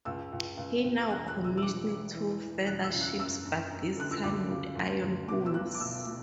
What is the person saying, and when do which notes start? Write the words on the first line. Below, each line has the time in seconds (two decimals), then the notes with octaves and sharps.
He now commissioned two further ships, but this time with iron hulls.
0.05 C#2 E6
0.32 C#2
0.57 C#2
0.84 C#2
1.03 E6
1.09 E1 F#6
1.28 F#6
1.36 E1
1.44 E6
1.57 E6
1.62 E1 D6
1.88 E1
2.14 E3
2.41 E3
2.66 E1 F#6
2.84 E6
2.93 C#3
3.01 F#6
3.19 F#2 E6
3.45 F#2
3.71 F#2
3.97 D3 F#6
4.11 E6
4.24 D2 D6
4.49 C#3
4.75 D2
5.02 D2
5.28 B2 D6
5.46 E6
5.54 B1 F#6
5.75 D6
5.80 B2 E6
6.06 B2